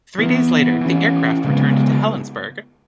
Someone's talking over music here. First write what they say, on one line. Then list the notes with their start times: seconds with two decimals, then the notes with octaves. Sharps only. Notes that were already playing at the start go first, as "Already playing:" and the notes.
Three days later, the aircraft returned to Helensburgh.
0.18 E3 B3
0.81 E3 C#4
1.45 C#3 G#3 B3